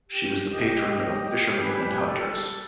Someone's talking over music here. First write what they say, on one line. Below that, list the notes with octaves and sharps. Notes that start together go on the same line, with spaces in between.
She was the patron of fisherman and hunters.
G4
D#5
B4 G#5 B5
G3 A4